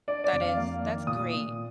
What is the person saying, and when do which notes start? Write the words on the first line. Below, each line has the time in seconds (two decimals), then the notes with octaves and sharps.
That is That's great.
0.07 D4 D5
0.24 D5
0.33 F2
0.41 F5
0.57 A#3 F5
0.83 D#3
1.07 A#2 D#6
1.33 A#2